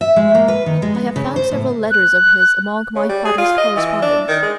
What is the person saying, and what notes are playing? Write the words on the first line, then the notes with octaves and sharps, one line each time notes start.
I have found several letters of his among my father's correspondence.
E5
G#3
A#3
B4
D#3
G#3
B3
C#3
C5
A2
F#6
C#3
G3
G#4
F4
D#5
E3
D4
D#3
G#3